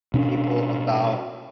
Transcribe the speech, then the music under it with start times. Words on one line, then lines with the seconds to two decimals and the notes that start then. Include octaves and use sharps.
people about
0.14 B2 C#4 D4